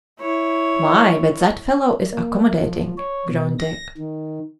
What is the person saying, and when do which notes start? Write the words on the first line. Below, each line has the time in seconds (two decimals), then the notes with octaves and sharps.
"My, but that fellow is accommodating!" groaned Dick.
0.19 E4 C#5
2.12 A#3
2.62 F3
2.98 C#5
3.29 B2
3.59 A#6
3.97 D#3